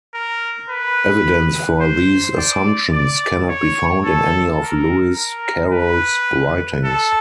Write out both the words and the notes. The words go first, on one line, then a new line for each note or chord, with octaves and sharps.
Evidence for these assumptions cannot be found in any of Lewis Carroll's writings.
A#4
B4
C5
D5
D5
C#5
A4
A#4
A#4
B4
A4